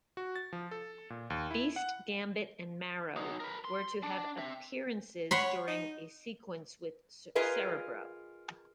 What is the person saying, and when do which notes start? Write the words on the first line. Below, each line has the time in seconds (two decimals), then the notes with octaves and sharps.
Beast, Gambit and Marrow were to have appearances during a sequence with Cerebro.
0.17 F#4
0.36 A6
0.53 F3
0.71 A4
1.10 A#2
1.30 D#2
1.51 E4
1.76 F#5
3.17 F#3 D#4
3.40 A#4 B4
3.65 C6
4.03 D4
4.38 C4 E5
5.31 C#5 F#5 B5 C6
5.67 D#4
7.35 F4 G#4 A#4 B4 D#5